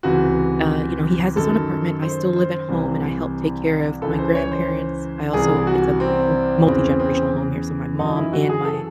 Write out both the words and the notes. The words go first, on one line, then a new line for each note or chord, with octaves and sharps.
uh, you know, he has his own apartment. I still live at home, and I help take care of my grandparents. I also it's a m multigenerational home here, so my mom and my
C#2 C3 E3 F#4
F#2 D#3 A4
C5
C5
C2 C3 E3
C#2 C#3 E3 A4
C5
C#5
C5
C2 C3 E3 G#4
F#4
C4
E2 C#3 E3 C4
C4
F#2 E3 D#4
E4
F#4
G#4
A4